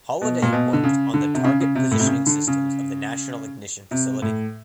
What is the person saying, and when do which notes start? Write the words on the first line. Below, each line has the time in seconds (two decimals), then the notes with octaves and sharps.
Holliday worked on the target positioning systems of the National Ignition Facility.
0.21 B2
0.42 A#2
0.52 B2
0.73 D3
0.83 C#3
1.14 D3
1.34 C3
1.44 C#3
1.60 C#3
1.75 C3
1.91 A2
1.99 C3
2.06 C#3
2.26 D3
2.47 C#3
3.91 C3
4.22 A2